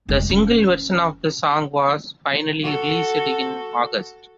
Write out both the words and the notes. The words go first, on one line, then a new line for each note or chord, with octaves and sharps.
The single version of that song was finally released in August.
F1 G#3
E3 C#4
F#4 A4